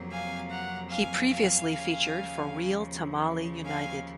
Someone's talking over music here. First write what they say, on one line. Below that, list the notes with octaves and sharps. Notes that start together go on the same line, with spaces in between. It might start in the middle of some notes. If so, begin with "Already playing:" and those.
He previously featured for Real Tamale United.
Already playing: F2 C3 F#3 A#3
F5 G#5
F#5 A#5
F5 G#5
F5 G#5
D#2 C#3 F3
F5 G#5